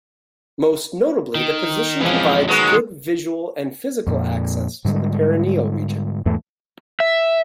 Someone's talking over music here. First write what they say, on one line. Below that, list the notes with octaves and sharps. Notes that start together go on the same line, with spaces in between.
Most notably the position provides good visual and physical access to the perineal region.
D#3
F2 E3 F3 G#3 C#4
D#3 F#3 G#3 B3 F#4
F2 A#2
G#2 D3 G3 G#3
E2 G#2 E3 A3
E5